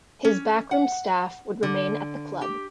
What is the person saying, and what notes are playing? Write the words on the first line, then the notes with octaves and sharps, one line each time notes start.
His backroom staff would remain at the club.
C#4
F#5
D3
G4